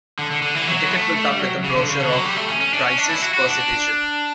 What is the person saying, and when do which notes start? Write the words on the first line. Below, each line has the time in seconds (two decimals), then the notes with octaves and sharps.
The ticket will come with a brochure of prices per citation.
0.19 D3
0.31 D3
0.42 D3
0.55 E3
0.67 F#3
0.87 B3
0.91 A3
1.16 A3
1.28 G3
1.39 F#3
1.64 C#3
1.76 D3
1.89 C#3
2.00 D3
2.12 F#3
2.25 G3
2.36 A3
2.48 C#4
2.61 C#4
2.73 D4
2.85 C#4
2.98 D4
3.09 E4
3.22 F#4
3.34 F#4
3.46 D4